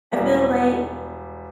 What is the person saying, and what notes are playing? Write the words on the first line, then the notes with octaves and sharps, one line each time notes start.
I feel like
E1 G3